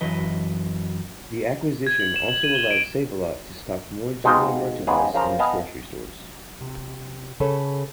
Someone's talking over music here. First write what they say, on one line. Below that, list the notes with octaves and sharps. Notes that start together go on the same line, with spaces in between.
The acquisition also allowed Save-A-Lot to stock more general merchandise in its grocery stores.
F#2 E3 B4 D#5
G#6
F#7
E7
F#7
D#7
G7
D7
B2 G#3 D#4 F4 G5
G#2 C#3 B3 G4 G#4
C#3 F3 A#4 C5 F5 A#5
B3 D#5 F5 G#5 A5
C3
C#3 G#4 A4 B4 C#5